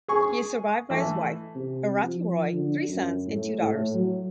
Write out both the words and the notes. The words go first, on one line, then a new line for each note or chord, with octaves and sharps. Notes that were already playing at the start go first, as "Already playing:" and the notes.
He is survived by his wife, Arati Roy, three sons, and two daughters.
G#4 G#5 C#6
E3 A3
C3
F3
D3
F#2
A2
A2
F#3